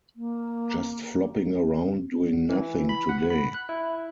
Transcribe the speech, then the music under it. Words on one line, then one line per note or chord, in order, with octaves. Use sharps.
Just flopping around doing nothing today.
A#3
E3
B5
F#5
B5
F#6
E4